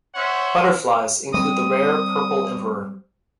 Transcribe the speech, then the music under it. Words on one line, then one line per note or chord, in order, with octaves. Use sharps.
Butterflies include the rare purple emperor.
C#4 C5 C#5 E5 F#5
G3 C4 D#6